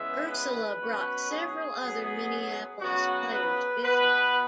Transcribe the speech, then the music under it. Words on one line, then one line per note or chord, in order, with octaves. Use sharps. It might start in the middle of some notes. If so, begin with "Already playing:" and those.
Ursella brought several other Minneapolis players with him.
Already playing: C#3 E3 G#3 B3 E5
B4
B2 F#3 C#4
G#4
F#2 F#3 B3
C#3 F#3 B3 F#4
B4
B2 B3 B4